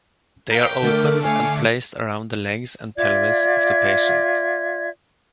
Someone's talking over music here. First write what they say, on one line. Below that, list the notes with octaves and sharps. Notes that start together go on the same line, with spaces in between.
They are opened and placed around the legs and pelvis of the patient.
G4 A#4 B4 F5 G5
D3 A3 A#4 D6
C#5 F5 G#5
F4 D5 E5 G#6